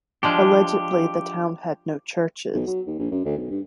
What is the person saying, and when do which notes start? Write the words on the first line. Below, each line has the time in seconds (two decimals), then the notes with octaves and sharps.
Allegedly, the town had no churches.
0.23 F3 G#3 D4 G4
2.54 B1
2.67 F#3
2.87 D#2
2.99 A#1
3.11 F#2
3.25 D2
3.37 B1
3.50 G2